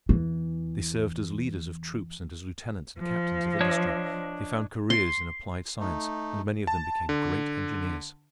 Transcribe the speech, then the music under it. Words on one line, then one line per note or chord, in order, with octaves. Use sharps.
They served as leaders of troops and as lieutenants and captains of industry. They found careers in applied science, and many of them became great engineers.
E2 E3
F3
D4 C#5 D#5
C6
A3 D#4
A5
D3